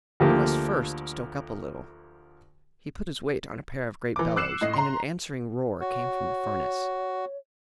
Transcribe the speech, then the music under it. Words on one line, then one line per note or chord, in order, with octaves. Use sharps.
"We must first stoke up a little." He put his weight on a pair of great bellows, and an answering roar came from the furnace.
D2 F3 A#3 G4
E3 D6
D6 E6 F#6 C7 C#7 E7
A2 D#5 C7
A#5 C6
F#4 C#5